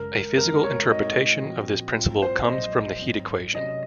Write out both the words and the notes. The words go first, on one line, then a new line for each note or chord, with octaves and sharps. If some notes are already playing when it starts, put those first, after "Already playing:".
A physical interpretation of this principle comes from the heat equation.
Already playing: G#1 F#2 C#3 G#3 A#4
F#2 C#3 G#3 C4 F#4 A#4
C#5
A#2 G#3 C4 D#4 F#4 D#5
A#2 F3 C4 F#4
A#1 G#2 F#3 C4 F4
C5
A#1 A#2 F#3 D#5
G#1 G#2 F#3 C4
C3 F#3 C#4 D#5